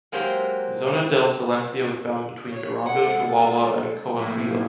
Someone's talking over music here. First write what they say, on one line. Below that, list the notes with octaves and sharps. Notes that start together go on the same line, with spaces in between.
Zona del Silencio is found between Durango, Chihuahua, and Coahuila.
F#3 G#3 A#3 C4 G4 C5
C#5
G#3 A4 F#5
A2 F3 A#3 E4